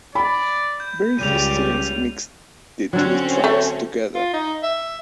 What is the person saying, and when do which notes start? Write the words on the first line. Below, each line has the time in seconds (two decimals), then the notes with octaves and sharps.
Very few students mix the two tracks together.
0.15 D5 B5
0.80 G6
1.19 C#2 C#3 G3 G4 D#7 F7
2.93 D3 F#3 C4 C#4
3.44 A3
4.14 F4
4.33 D#4
4.63 E5